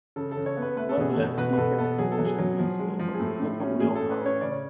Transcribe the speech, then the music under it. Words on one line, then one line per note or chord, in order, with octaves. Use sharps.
Nonetheless, He kept his position as minister but with little real power.
C#3 A4
A4
C#3
C#5
B3
B4
A3 B4
A4
B2 G#4
B2 A4
B2 B4
B4
B2 A4
B3 A4
F#3 G#4
A4
F#3
G#4
F#3
F3
G#3
F3
G#4
A2 A4
A2
C#4
A2 G#4
A4
A2
B4
C#4 C#5
C#3 D5
C#5